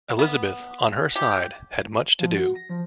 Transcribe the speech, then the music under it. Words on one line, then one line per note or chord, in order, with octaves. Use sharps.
Elizabeth, on her side, had much to do.
B3
G4
F3
F#4
A#6
F3